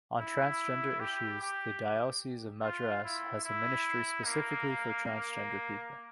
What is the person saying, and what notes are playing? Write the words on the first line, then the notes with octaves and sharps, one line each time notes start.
On transgender issues, the Diocese of Madras has a ministry specifically for transgender people.
E4
G4
G4
F4
E4
E4
A#3
A#3